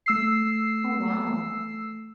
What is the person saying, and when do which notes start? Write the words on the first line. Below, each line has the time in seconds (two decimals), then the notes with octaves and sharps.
Oh, wow.
0.06 A3 E6 C7